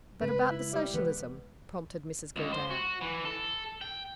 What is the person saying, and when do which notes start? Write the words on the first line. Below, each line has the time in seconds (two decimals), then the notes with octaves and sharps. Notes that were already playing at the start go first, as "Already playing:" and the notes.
'But about the Socialism?' prompted Mrs Gildea.
0.21 C#3 G#3 C4 B4
0.51 E4
0.73 G3
0.94 E3 G#3 B3
2.36 C#2
2.53 C5
2.71 F#4
3.01 E3
3.25 A4
3.81 G5